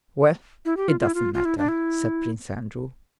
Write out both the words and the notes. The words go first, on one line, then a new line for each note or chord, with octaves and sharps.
"Well, it doesn't matter," said Prince Andrew.
E4
G4
F4
F4
E4
F4
F4
E4
D4
E4